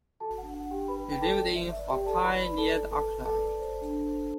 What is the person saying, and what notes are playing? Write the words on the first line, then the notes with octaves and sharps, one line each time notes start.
He lived in Huapai near Auckland.
F#4 A4 A5
D4 F#5
F#5
D4
G4 G5
B4 B5
E4 G5
A4 A5
D5
B4 E5
E5
D5
G4 G5
D5
A4 A5
E4 B4 B5
D5
A4 A5
E4
A4 B4 A5
B4
A4 A5
D5
C5
D4
C5